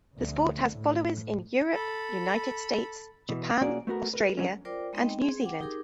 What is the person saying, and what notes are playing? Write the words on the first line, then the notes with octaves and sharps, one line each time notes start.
The sport has followers in Europe, United States, Japan, Australia and New Zealand.
D2
A2
A4 B5
B2 E3
B1 A#3 C#4 F#4 G#4 D5
A3 B3 F#4 A#4
A#4 B4
D3 F#3 G#3 C#4
F4 A#4 C5 D5 G5 D6
G#3 B3 C4 D#4 D#5 G5
C4 G#4
F#5 G5 D6
D#4 G4 G#4 A#4 D6